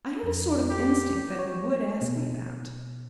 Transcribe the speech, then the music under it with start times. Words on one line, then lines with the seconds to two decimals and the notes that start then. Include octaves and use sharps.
I had a sort of instinct that he would ask me that.
0.23 F2
0.70 G4
1.39 C#5
2.02 B2